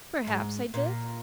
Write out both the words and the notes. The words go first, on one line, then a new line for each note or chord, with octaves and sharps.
"Perhaps I did."
G#2
A#2